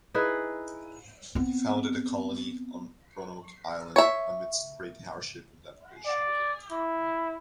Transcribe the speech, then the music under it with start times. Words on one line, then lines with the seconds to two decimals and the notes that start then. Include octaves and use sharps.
He founded a colony on Roanoke Island amidst great hardship and deprivation.
0.14 D#4 E4 G#4 B4
1.35 B3 C4
3.96 C#5 E5
6.07 D5
6.72 E4